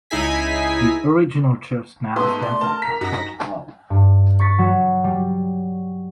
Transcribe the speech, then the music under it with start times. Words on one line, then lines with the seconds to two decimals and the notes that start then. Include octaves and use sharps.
The original church now stands as the church hall.
0.10 C#2 D#4 E4 G#4 G#5 B6
2.16 G#2 A3 B3 C6
2.42 D5
2.61 A#4 A5
2.82 A#5 B6
3.01 F#2 D#4 F#4 A#6 B6
3.90 G2
4.40 C#6 A6 B6 C#7
4.59 F#3
5.04 G3